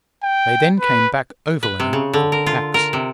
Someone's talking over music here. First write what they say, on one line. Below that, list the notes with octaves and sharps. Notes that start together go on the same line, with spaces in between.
They then came back overland for the packs.
G5
B4
B4
C3
C#3
D3
A#4
F4
A#4
C3